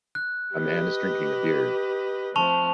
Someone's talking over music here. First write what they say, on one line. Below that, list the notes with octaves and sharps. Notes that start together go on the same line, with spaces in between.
A man is drinking a beer.
F#6
G4 B4 D#5
F3 A3 C4 A5 C#6 F7